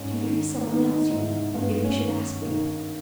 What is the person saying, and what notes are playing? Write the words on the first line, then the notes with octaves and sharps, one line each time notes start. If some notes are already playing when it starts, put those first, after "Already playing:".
"To marry some one else, you mean--if he should ask me?"
Already playing: G#2 C#4
D#3
D#3 B3
D#4
D#4
G#2 E4
G2 B3
C#4
D#3
D#3 A#3